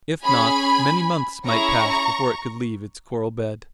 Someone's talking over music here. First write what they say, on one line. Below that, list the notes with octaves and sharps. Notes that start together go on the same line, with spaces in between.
If not, many months might pass before it could leave its coral bed.
C#4 G#4 G#5 B5
C#4 E4 G#4 A#5 C#6